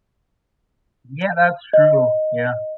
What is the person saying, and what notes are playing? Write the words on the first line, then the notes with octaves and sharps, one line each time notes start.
Yeah, that's true. Yeah.
D#5